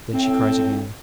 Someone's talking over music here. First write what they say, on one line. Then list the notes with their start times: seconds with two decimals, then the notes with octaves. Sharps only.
Then she cries again.
0.14 A2 C4